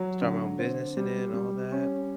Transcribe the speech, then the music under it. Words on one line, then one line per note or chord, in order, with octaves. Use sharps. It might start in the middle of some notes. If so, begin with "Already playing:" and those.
Start my own business in it and all that.
Already playing: F#3
D3
C4
G3
G3
C#4